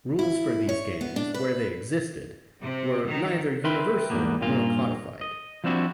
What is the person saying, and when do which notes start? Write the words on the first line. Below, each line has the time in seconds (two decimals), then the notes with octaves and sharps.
Rules for these games, where they existed, were neither universal nor codified.
0.19 E4
0.69 C#5
1.01 B3
1.16 D4
1.34 B4
2.62 C3
3.06 D#3
3.64 A#4 B4 E5 G5 B5 C6
4.10 E2 G#2 C3 G3 A#3 B3
4.41 G2 A#2 A#3 F4
5.21 D#5
5.64 F3 G3 C4 D4 E4 F#4